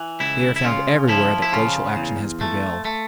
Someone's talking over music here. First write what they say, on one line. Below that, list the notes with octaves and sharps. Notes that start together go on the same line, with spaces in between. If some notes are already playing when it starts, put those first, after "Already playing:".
They are found everywhere that glacial action has prevailed.
Already playing: E3
C#2 E4
E4
C#3 F4
F3 E4
E4
C#3 F4
E2
A3
A3